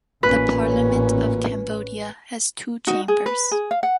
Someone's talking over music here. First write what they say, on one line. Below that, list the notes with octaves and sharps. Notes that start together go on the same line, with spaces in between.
The Parliament of Cambodia has two chambers.
A1 A#2 C#4 B4
D#4 F#4
G#4
B4
G#4
F5
F#5